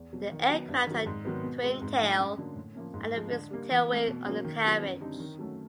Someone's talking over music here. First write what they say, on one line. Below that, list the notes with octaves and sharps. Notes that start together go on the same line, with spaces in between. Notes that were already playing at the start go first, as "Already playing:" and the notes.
The aircraft had a twin-tail and a fixed tailwheel undercarriage.
Already playing: E2
B2 F#3
D#3
F#3 B3
G2
D#3 F#3
G#2
D#3 F#3 B3
B2
G#3 C4
G#2
F3 A3 D4
F#2
D3 F#3 A#3
A2
F3 A#3 C#4
G#2
F3 G#3
D3
G3 A#3
E3
A3 C4
B2
F#3 A#3 C#4
D#3
F#3 B3 E4
F#2
D3 G3 C4 D#4
D#3
F#3 A3 C#4 F#4